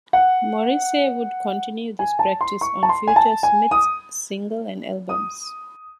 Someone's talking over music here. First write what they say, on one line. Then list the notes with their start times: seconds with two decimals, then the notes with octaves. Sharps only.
Morrissey would continue this practice on future Smiths singles and albums.
0.13 F#5
1.99 G#5
2.19 A5
2.41 C6
2.61 C#6
2.83 A5
2.89 C6
3.07 G#5
3.16 A5
3.43 G#5
3.71 D#6
5.09 D#6